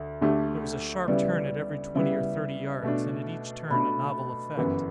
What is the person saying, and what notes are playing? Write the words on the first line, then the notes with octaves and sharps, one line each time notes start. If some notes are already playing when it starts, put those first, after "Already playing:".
There was a sharp turn at every twenty or thirty yards, and at each turn a novel effect.
Already playing: D2 E5
D2 D3 A3 D4 G4
C#3 G3 B3 E4 D5
C#3 G3 B3 E4 E5
B2 A3 D4
B2 A3 D4 B5
G1 F#2 E3 B3